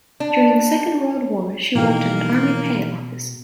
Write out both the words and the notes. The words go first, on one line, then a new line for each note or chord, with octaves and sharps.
During the Second World War she worked at an Army Pay Office.
D4
B2 E3 F3 A#3 D#4 G5